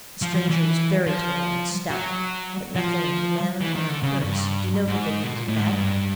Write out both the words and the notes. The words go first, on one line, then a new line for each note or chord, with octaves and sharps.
The stranger was very tall and stout, but nothing in his manner or appearance denoted that he was a bad man.
F3
F3
E3
F3
F#3
F3
E3
D#3
D3
C#3
G2
G#2
B2
A#2
A2
G#2
G2